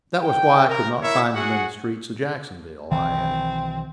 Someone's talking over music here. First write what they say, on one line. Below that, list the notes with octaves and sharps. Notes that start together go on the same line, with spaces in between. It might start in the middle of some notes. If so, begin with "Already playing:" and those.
"That was why I could not find him in the streets of Jacksonville," I added.
G5
A#4
E4 A#4 C#5 E5
F#4 G#4 F#5
B1 D#3 E3 C4